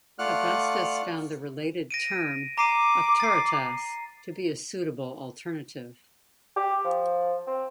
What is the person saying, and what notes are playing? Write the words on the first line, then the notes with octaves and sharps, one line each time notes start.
Augustus found the related term "auctoritas" to be a suitable alternative.
A3 F4 D5 F#5 F6 F#6
A#6 D7 D#7
A#5 D6 C7 D#7
A6 C7
G4
F3
C4